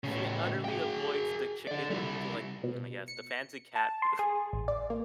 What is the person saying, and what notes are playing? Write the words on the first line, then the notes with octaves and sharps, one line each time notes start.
she utterly avoids the chicken to, like, "Hmm, yes, the fancy cat food."
A2 C#3
G#4 G5
A4 D5
G3 E4
B2
C#7
A5
C6
G#4
A1
D5
A#3